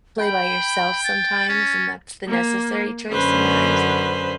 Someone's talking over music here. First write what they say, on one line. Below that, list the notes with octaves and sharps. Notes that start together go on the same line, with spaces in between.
play by yourself sometimes, and that's the necessary choice sometimes,
G5 B5
A6
C#4
A#3
F#2 D3 C#4 B4 C5